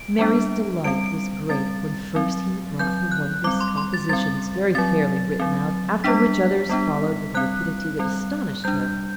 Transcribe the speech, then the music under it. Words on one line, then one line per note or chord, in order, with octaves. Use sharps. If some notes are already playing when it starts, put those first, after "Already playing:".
Mary's delight was great when first he brought her one of his compositions very fairly written out--after which others followed with a rapidity that astonished her.
Already playing: D7
G3 B3 D4
G3 C4 D7
D7
G3 C4 A6
F#3 C4
F#3 C4 G6
F#6
G3 C4 D6
C6
C6
A6
G3 C4 A6
F#3 C4 A6
F#3 C4
G3 B3 D4 B6
G3 B3 D4
G3 C4 F#6
G3 C4
G3 D4 G6